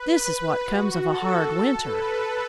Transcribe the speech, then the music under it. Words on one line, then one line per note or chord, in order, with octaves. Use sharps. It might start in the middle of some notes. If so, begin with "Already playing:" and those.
"This is what comes of a hard winter."
Already playing: B4
F#4
A4
B4